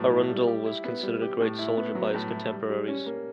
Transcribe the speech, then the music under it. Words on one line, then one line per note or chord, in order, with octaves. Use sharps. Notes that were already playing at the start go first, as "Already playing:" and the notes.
Arundel was considered a great soldier by his contemporaries.
Already playing: A2 F#3 B3
E4
G3
G4
E4
B3
G3
G4
A2
E4
B3
F#3
A2
E4
G3
G3
C#4
A#3